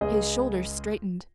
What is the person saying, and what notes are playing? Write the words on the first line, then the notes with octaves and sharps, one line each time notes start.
His shoulders straightened.
C#2 G#4 D#5